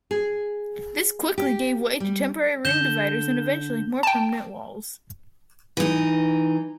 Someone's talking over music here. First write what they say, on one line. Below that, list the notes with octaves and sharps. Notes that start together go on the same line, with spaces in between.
This quickly gave way to temporary room dividers and eventually, more permanent walls.
G#4
G4
G3
D3 G6 E7 G7
G5 A5
E3 D#4